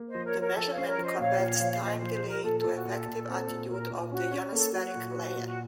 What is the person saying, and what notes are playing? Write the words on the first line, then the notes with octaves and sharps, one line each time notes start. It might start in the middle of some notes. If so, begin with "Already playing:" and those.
The measurement converts time delay to effective altitude of the ionospheric layer.
Already playing: A#3
C5 D#5
F3
A#4 C#5
F3
A#4 C#5
F3 A4
C#5 F5
C#4 C5
A#4 C#5
F3 C5 D#5
A#2 C#5 F5
A#2
F3
F5
A#2 C5 D#5
C5
F3
C5
F3 A#4
A#2 A4
A4
A#2
F#4
A#2
A4
A#2
C4
A#2
A#2 A#4
A#2
C#4 F#4
C#4
A#3 A4
F#3 F#4
A#2
F#3
A#2
F#4